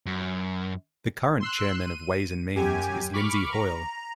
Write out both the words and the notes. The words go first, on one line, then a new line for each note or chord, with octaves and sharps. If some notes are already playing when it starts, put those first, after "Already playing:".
The current Chairman of Ways and Means is Lindsay Hoyle.
F#2
C6 E6 F#6
D#7
F#2 G4 G#5
B5 C#6 D6 F6
A#5